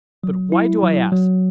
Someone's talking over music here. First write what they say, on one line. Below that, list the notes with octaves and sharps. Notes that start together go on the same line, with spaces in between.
But why do I ask?
F#3
E4
F#3
F#3